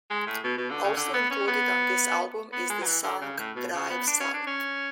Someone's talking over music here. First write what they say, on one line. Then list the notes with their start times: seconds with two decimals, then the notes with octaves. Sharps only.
Also included on this album is the song "Drive South".
0.10 G#3
0.27 A2
0.44 B2
0.58 B2
0.70 D3
0.84 C#3
0.96 D3
1.14 B3
1.31 C#4
1.48 B3
2.52 B3
2.70 G#3
2.82 F#3
2.86 E3
3.03 D3
3.21 C#3
3.39 A2
3.55 B2
3.74 C#3
3.90 B3
4.07 D4
4.20 C#4
4.34 D4
4.47 C#4